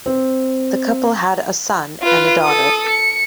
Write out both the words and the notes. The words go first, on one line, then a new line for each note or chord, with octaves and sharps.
The couple had a son and a daughter.
C4
F4 B4
A4 D#6
C#7